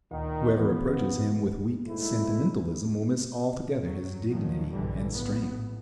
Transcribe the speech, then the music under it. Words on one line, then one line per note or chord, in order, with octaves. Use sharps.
Whoever approaches him with weak sentimentalism will miss altogether his dignity and strength.
D2 A#2 D#3
B2 E3 F3 B3
G#2 A3 E4
F#3
A#2 D#3 F3 F#3
A#1 G2 D3 E3 G3
G#2 C#3 F#3 B3
A2